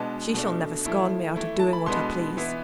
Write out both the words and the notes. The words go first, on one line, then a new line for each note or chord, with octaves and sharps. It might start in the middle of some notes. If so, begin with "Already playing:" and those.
She shall never scorn me out of doing what I please.
Already playing: B2 G#3 B3 D4 A5
B2 A3 D4
F3 A3 E4
E3 A3 E4
A5
B5
B2 G#3 B3 D4 C6
E3 B3 E4